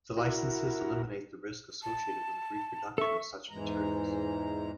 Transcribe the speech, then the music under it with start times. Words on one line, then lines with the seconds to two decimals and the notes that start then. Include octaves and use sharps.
The licenses eliminate the risk associated with the reproduction of such materials.
0.17 E4 F#4 A#4
1.83 A5
2.98 A4 E5 C#6
3.51 E2 G#2 E3 G#3 A#5